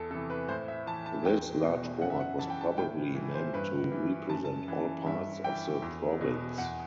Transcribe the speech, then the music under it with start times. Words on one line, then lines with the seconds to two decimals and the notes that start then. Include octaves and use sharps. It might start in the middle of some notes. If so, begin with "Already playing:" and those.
This large board was probably meant to represent all parts of the province.
Already playing: E2 A4
0.11 C3 A4
0.15 E3
0.30 B4
0.49 A2 C5
0.68 E5
0.86 E3 A5
1.06 A5
1.24 E2 G5
1.63 B2
2.01 F#2 F#5
2.10 E5
2.20 F#5
2.39 E3 A5
2.50 G5
2.61 A5
2.78 A2 G5
3.15 E3
3.34 C5
3.53 G2 B4
3.92 E3
4.29 F#2 A5
4.45 A5
4.68 E3
5.06 G2 E5
5.44 E3 G5
5.82 E2
6.21 B2
6.58 E2 F#5